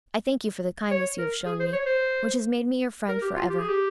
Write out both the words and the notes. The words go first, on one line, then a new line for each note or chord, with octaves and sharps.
I thank you for the kindness you have shown me, which has made me your friend for ever.
C#5
A#4
G#4
C5
C#5
C5
A#4
G4
F4
G4
G#4
G4